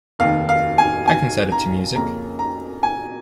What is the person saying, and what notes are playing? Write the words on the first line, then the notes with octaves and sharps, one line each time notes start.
I can set it to music.
F1 D#2 D#3 F5
F5
G#5
G#5
A#5
F2 C#3 A#3 C#4 A#5
A#5
G#5